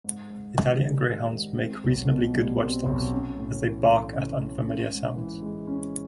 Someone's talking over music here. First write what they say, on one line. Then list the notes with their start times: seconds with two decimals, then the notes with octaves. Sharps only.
Italian Greyhounds make reasonably good watchdogs, as they bark at unfamiliar sounds.
0.04 G#2
0.30 G#2
0.55 D#3
0.81 G3
1.07 G#2
1.33 G#2
1.58 C4
1.84 B1
2.09 B2
2.35 G3
2.60 C4
2.86 B1
3.12 C#4
3.37 A2
3.62 E3
3.89 A3
4.14 C#4
4.39 A2
4.65 C#4
4.91 G#2
5.16 E3
5.42 G#3
5.67 C#4